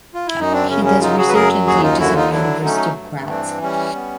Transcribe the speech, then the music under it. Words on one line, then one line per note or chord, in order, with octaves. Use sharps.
He does research and teaches at the University of Graz.
F4
E4
F#2 D#4
C4 D4
C#3 C#4
C#4
F#3 D#4 F4
F#4 G#4
B4
F#2 G#4 A#4
D#2 F#4 G#4
D#4 F4
D3 E4 F#4
D#4 F4
F#3 D4 E4
A3 C#4 D#4
G2
E3 C4 D4
G3 C#4
B3